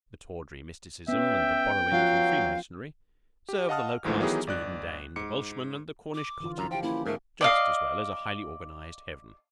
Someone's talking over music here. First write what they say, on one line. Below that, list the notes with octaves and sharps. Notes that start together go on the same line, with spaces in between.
The tawdry mysticism and the borrowing from Freemasonry serve the low caste Swede and Dane, the Welshman and the Cornish cotter, just as well as a highly organized heaven.
B3 C#4 E5 G5
F3 F#3 F4 F5 F#5
G4
D#5 F5 F#5 A5 D#6 F6
A1 D2 G#2 E3 F3 A3
D#3 E3 F#3 B3 G4 G#4
G1 D5 F#6
G#2 D6 C#7
D6
D3 E3 F4
F#2 A#5
F3 E4 G4 G5
A#3 C#4 E4
G#2 A3 A#4
D5 D#5 F5